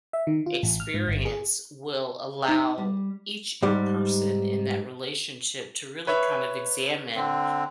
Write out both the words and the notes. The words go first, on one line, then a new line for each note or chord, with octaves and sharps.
experience will allow each person in that relationship to really kind of examine
E5
D#3
F4
A1
F6
G#2
G1
G#4
D#4
G3
G#2 G3
B4 C#5 E5
D3 C4